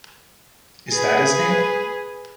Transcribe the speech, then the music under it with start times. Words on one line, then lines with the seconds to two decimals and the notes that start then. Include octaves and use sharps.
Is that his name?
0.90 G#4 B4